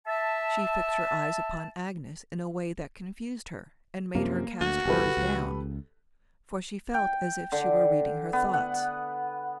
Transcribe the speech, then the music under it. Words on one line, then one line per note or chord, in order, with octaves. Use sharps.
She fixed her eyes upon Agnes in a way that confused her, and made her cast hers down, for she felt as if she were reading her thoughts.
E5 A5
F#2 C3 F3 A#3
D2 F#4
G1 C2 E3 G4 A4 B4
C#2
G5
D3
B3
F#5